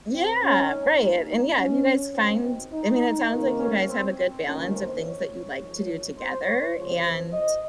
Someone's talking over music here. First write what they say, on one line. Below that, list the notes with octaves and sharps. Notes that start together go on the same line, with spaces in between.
Yeah, right. And, yeah, if you guys find I mean, it sounds like you guys have a good balance of things that you like to do together and,
C4
C#4
D#4
G2 G3 A#3
D#4
C#4
G#1 G2 D#3 C4
D#4
C#2 C3 D#3 A#3
C#4
C4
G1 F2 D#3 A#3 C#4
C5
C#5
G#1 G#2 F3
C5
C#5
C#2 C3 F3 C5
C5
D#5